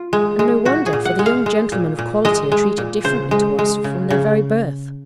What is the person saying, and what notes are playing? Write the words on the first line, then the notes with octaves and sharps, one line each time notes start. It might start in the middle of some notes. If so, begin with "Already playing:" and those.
And no wonder, for the young gentlemen of quality are treated differently to us from their very birth.
Already playing: F4
G#3
G#3
A#2 F#4
G#4
A#2
F#5
G#3
F5
G#3
A#2
A#2
G#3 D#5
G#3
A#2
C#3 C5
G#3
G#3
C#3
C#3